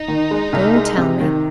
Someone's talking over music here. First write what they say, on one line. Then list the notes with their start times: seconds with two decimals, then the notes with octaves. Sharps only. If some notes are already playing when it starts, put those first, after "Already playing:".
Don't tell me.
Already playing: D#4
0.08 D#3
0.31 G#3
0.53 C2
0.75 G#3
0.97 C3
1.20 D#3